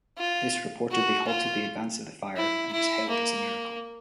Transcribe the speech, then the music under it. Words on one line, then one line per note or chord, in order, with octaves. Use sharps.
This reportedly halted the advance of the fire and was hailed as a miracle.
F4
F#4
F4
E4
E4
A#3